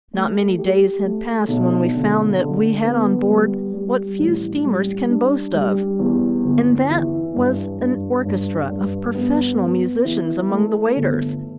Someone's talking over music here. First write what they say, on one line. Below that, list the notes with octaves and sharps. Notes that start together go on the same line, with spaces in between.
Not many days had passed when we found that we had on board what few steamers can boast of, and that was an orchestra of professional musicians among the waiters.
A3
G4
A3
B1
D3
D3
B3
G3
G3
A1
G3
D4
G3
E2
G1
E3
G2
G2
G2
G2
B3
B3
E3
A3
G1